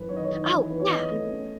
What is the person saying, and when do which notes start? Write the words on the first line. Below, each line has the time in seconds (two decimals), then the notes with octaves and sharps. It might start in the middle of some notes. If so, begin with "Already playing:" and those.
Oh, yeah!
Already playing: F#2 E3 C#4 B4
0.09 D#3 C#5
0.16 D#5
0.24 C#5
0.29 D#3
0.49 E3
0.70 E2 B4
0.80 C#5
0.90 E3 D#5
1.11 A3
1.30 C#4